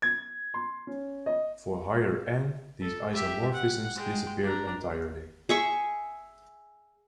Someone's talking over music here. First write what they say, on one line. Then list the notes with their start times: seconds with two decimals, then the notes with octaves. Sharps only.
For higher "n", these isomorphisms disappear entirely.
0.02 G#6
0.54 C6
0.87 C#4
1.26 D#5
2.81 A4
3.13 G4 E5
3.53 F#5
3.95 G#3 G5
4.43 D4 A#5
5.49 G#4 E5 C#6